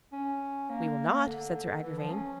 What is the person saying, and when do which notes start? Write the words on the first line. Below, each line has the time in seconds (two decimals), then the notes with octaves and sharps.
"We will not," said Sir Agrivain.
0.12 C#4
0.70 A#3
1.26 D3
1.82 E3
1.97 F3
2.11 C#4